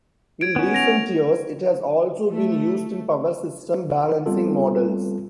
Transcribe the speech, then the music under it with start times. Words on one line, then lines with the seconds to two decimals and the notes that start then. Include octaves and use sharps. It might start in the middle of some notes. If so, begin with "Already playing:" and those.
In recent years it has also been used in power system balancing models.
0.41 G#6 D7
0.56 B3 C#4
0.74 A#6 F7
2.30 A3
4.26 G3 B3 C4 F4 A4